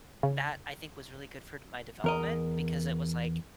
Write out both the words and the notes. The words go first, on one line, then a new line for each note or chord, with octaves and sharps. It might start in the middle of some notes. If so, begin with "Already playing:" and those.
that, I think, was really good for d my development, because it was like,
C#3
E2 A#4 D#5